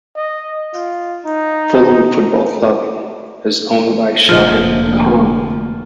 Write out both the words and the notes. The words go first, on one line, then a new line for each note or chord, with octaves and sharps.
Fulham Football Club is owned by Shahid Khan.
D#5
F4
D#4
F1 D3 F3 A#3